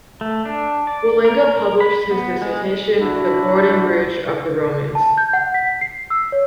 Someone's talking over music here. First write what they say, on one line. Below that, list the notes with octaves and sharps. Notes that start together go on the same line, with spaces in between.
Wallinga published his dissertation, "The Boarding-Bridge of the Romans".
A3
D4
D5
A#4
B5
B3
G#3
D4 E4 F#4
A5
G6
F#5
B6
C7
E6
C#5